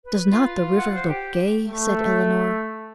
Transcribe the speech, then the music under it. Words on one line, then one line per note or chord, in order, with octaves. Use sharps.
"Does not the river look gay?" said Eleanor.
B4
F4
F#5
C5
G4
A3